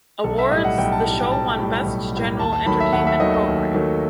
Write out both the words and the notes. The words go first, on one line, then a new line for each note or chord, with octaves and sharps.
Awards, the show won "Best General Entertainment Program".
B1 A4
E5
A2 G3 D#5
F#5
B1 G5
A5
A2 G3 A5
G5
B1 A5
A2 G3
B1
A2 G3
D#2 A5
A5
D#3 F#3 A3 B5
E5
D#2 F#5
E5
D#3 F#3 A3 D#5
D#5
D#2
D#3 F#3 A3